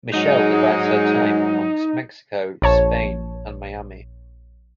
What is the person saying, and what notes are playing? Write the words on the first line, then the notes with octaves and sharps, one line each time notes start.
Michel divides her time amongst Mexico, Spain, and Miami.
G#2 F#3 G#3 D#4
A#1 C#5 A5